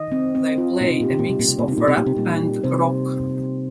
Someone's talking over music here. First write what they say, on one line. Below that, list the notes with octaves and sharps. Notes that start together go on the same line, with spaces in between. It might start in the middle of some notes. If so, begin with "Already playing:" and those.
They play a mix of rap and rock.
Already playing: D#3 D#5
C4
C4
F4
A#2 D#4
C3
A#2 G4
C3
A#2
C3 G3
A#2
C3 A#3
A#2
C3 D#4
A#2
C3
A#2 G4
C3
A#2 G3
A#3
C3 C5